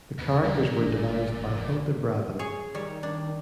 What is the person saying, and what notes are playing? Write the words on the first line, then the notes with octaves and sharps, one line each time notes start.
The characters were devised by Hilda Brabban.
D#2 B2 B4
A#2 D3 E3 G3
G1 A3 A#3 D4
F1 F#2
G#1 G#2
G#4 C#5
D#3 G3 C#5
D4